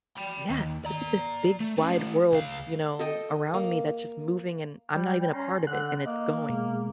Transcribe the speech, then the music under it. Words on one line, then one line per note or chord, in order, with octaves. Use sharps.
"Yes, look at this big, wide world," you know, "around me that's just moving, and I'm not even a part of it, and it's going."
G5 B5
D#2
D5 A#5
A3
A3 C#4
C#2 F5
A4 D#5 G5
A#3
G3 G5
C#4 A#5 C6
D3 F#5 F#6
A#3 D#5
B2 G#3